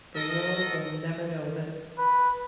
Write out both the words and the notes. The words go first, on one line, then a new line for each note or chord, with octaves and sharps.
The world will never know of it.
A4 A#4 D#5
B4